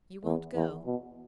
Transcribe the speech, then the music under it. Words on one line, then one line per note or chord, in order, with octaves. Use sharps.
You won't go.
E2
E2
B2